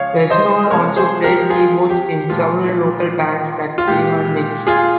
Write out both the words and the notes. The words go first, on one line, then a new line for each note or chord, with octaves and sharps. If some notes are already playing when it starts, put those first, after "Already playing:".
Reznor also played keyboards in several local bands that Beavan mixed.
Already playing: C#3 F3 G#3 C#5 F5
C5 D#5
C3 F3 G#3 A#4 C#5
G#4 C5
G4 A#4
F4 G#4
G4
A#2 F3 G#3 F4
F4
A#2 G#3 G4
F4 G#4